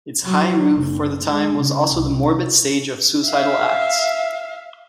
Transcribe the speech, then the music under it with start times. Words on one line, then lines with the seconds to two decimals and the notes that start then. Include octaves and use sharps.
Its high roof for the time was also the morbid stage of suicidal acts.
0.25 F#3
0.78 F#1
1.25 G#3
1.56 C#3
1.94 C2
3.28 E5 F5